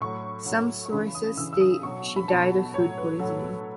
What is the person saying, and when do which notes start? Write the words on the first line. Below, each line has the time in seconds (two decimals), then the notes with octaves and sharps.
Some sources state she died of food poisoning.
0.01 A2 F#3 C#6
0.46 A2 F#3
0.86 C#6
0.92 C#3 E3 B5
1.15 D#6
1.37 C#3 E3 E6
1.53 E6
1.61 D#6
1.83 B2 F#3 C#6
2.16 B5
2.28 B2 F#3 A5
2.74 A2 F#3 C#5
2.98 B4
3.19 A2 F#3 A4